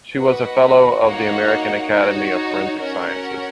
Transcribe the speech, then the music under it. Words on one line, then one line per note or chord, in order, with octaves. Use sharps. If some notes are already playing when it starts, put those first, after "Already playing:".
She was a fellow of the American Academy of Forensic Sciences.
F#4 B4 D#5 F#5
A#3 D#4 F#4 C#5 F#5
D#4 F#4 C#5
C#4 F#4 A#4 C#5 F#5